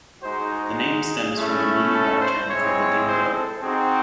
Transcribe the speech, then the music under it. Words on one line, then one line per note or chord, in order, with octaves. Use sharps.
The name stems from a Noongar term for the dingo.
G#3 D#4 F#4 C5
G#4
A3 C#4 E4
A4
C5
G#3 C4 E4 C#5
C5
A4
C4 D#4 F#4 G#4